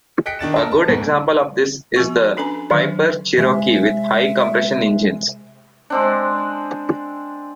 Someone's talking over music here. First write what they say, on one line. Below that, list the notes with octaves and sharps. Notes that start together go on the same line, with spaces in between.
A good example of this is the Piper Cherokee with high-compression engines.
D#5 G5 F#6 B6 C#7 D7
D#3 D4 A6 E7
A#4 D#5 A5
A5
D2 G#2
F3 B3 F#4 C#6
C#4 D4 A4 B4 G#5 A#5
D3 D#3 F#3 D4 A4 B4
C3 G#3 E5
G#3 C4 D4